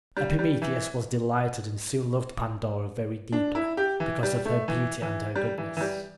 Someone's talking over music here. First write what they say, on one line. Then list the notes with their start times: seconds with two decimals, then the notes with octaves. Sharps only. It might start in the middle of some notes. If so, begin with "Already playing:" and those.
Epimetheus was delighted and soon loved Pandora very deeply, because of her beauty and her goodness.
0.17 G3
0.39 G3
0.62 E3
3.32 D4
3.55 E4
3.77 G4
4.00 E3
4.23 G3
4.45 A3
4.68 E3
5.02 E3
5.36 G3
5.58 E3
5.77 E3
5.81 G3